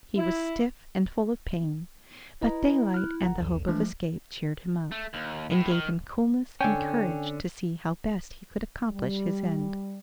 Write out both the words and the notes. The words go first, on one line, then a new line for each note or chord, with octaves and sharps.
He was stiff, and full of pain, but daylight and the hope of escape cheered him up, and gave him coolness and courage to see how best he could accomplish his end.
E4
E4 B4 D#5 A#5
F6 F#6
G1 F#5 A#5
B1 E2
E3 F3 G#3 A3 D4
A3
D#2
A2
D#3
D3 C#4 G5 G#5
G3